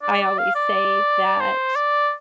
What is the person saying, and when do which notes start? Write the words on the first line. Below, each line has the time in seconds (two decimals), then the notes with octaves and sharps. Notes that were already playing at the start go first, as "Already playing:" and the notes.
I always say that
0.03 D5
0.21 D5
0.38 F5
0.55 D5
1.41 C5
1.76 D5